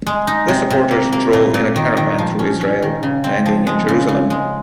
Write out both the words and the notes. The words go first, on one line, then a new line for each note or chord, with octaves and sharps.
The supporters drove in a caravan through Israel, ending in Jerusalem.
G#3
D#4
C3
C3
A#3
A#3
A#2
A#2
D#3
D#3
F3
C#4
C#4
D#3
C#3
C4
F3
G#3
C#3
C#3
G#3